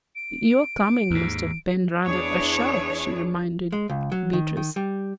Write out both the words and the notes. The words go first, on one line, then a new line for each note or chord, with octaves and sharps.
"Your coming must have been rather a shock," she reminded Beatrice.
D7
D#2 G#2
E2 D4 E4 G#4 C#5
G#3
C#2
F#3
D#3
D#3
G3